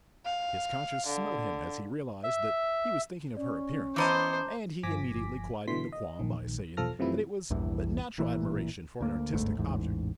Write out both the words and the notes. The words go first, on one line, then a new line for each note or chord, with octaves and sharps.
His conscience smote him as he realized that he was thinking of her appearance, and he immediately quieted the qualm by saying that it was but natural admiration for an artistic object.
F5
D3
E5
C#4 D5
E3 B3 C5 D#5 A5 A#5 D6
G1 F3 G#5 D6 A#6 B6
B2 D3 E3 C6 B6
D#5
A#1 D#3
B1 E2 F3 A4 F6 A#6
F#2 C3 E3 F3 A3 E4
A#1 E2 G2 E3
A1 A#2 E3
D2 A#3
G1 D2 G#2 A3
A1 E2 G#2